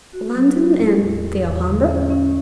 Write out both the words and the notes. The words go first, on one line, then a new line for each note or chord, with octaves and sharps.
'London and the Alhambra!'
F#4
F#3
F#4
A2
E2
G#3
E2
D3
C#4
C#4